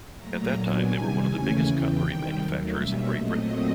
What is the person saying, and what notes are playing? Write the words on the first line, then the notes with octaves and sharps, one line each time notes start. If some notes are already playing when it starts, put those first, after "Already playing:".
At that time they were one of the biggest cutlery manufacturers in Great Britain.
A#2 F#3 A3 A#5
A#2 F#3 B3 D4 G#5
C3 D#3 G3
D#2 C#3 E3 A3 C#4
E2 C#3 E3 G5
C3 D#3 G3
D#2 D#3 F#3 A3
B2 G3 A#3 C#4 E5
A#2 F#3 A3 C4 D#5